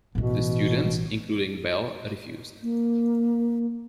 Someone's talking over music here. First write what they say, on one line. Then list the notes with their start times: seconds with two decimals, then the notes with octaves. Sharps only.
The students, including Bell, refused.
0.15 A1 B2 E3
2.63 A#3